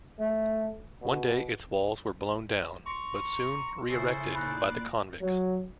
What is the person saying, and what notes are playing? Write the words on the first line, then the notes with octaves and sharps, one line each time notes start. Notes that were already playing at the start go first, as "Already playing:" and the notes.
One day its walls were blown down, but soon re-erected by the convicts.
A3
B2
A#5 C6 C#6
C#3 E4 A4 C5 A#6 C7
A#2 D#4 D5 B5 F#6 A#6
F#3